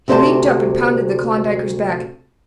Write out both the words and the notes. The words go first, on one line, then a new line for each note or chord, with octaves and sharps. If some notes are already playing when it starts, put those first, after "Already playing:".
He leaped up and pounded the Klondiker's back.
D2 C3 G4 C5 D5 A5